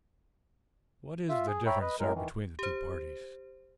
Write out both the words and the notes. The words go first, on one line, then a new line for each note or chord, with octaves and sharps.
"What is the difference, sir, between the two parties?"
F4 E5
G#4
C#5 E5 G5 A#5 B5
B4 D#5
F#2 A2 F#3 G#3 A#4
D#3 E3
G4 C5